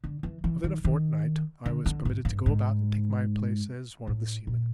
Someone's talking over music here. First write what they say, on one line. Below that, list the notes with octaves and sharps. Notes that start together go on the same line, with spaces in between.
Within a fortnight I was permitted to go about and take my place as one of the seamen.
D3
E3
E3
D#3
D#3
D3
D3
G#2
G2
G#2
A2
A#2